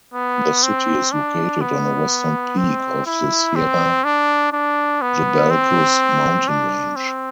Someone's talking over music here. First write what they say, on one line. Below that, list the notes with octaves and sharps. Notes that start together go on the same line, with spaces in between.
The city is located on a western peak of the Sierra Jabalcuz mountain range.
B3
C4
D4
B3
C4
E4
C4
D4
D4
B3
C4
D4
C4